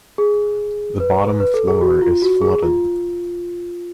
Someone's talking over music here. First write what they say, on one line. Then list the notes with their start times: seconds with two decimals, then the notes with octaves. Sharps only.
The bottom floor is flooded.
0.18 G#4
1.00 B4
1.40 B4
1.54 A4
1.68 G#4
1.81 F#4
2.02 F4
2.22 F#4
2.42 G#4
2.63 F4